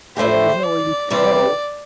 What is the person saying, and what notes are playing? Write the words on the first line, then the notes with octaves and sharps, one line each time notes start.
I there's nowhere you can go.
A2 A3 D4 G4 C5
D5
C3 E3 G3 C4 G4 D5